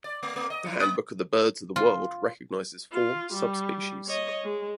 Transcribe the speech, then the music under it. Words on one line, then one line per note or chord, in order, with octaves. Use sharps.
The Handbook of the Birds of the World recognises four subspecies.
D5
A3
A3
D#5
E4
A#3
F4
F4
G3
C#5 D#5
G#3